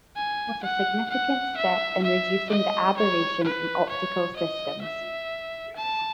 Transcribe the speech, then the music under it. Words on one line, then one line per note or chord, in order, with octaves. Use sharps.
This was a significant step in reducing the aberration in optical systems.
G#5
F#5
F#5
E5
E5
D#5
C#5
B4
C#5
D#5
E5
A5